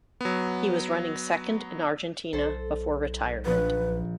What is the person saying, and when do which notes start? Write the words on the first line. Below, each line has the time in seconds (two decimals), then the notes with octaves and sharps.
He was running second in Argentina before retirement.
0.21 F#3 B3
2.33 B1 A4 C5
3.46 A#1 F3 B4 B5